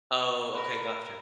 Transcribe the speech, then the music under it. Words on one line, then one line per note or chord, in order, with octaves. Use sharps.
Oh, okay. Gotcha.
A#4 B4